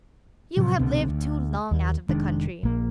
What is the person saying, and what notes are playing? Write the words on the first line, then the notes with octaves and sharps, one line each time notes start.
You have lived too long out of the country.
A2 C3 F3 F#3
C2 B2 D3 C4
D2
D#2
F1 D#3 G#3 D4
A#1 A#3